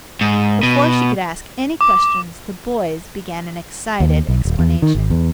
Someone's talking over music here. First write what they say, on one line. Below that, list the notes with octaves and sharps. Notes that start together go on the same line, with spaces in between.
Before she could ask any questions, the boys began an excited explanation.
G#2
B2
D6
D#2
B1
D#1
E2
D#3
G#1
E2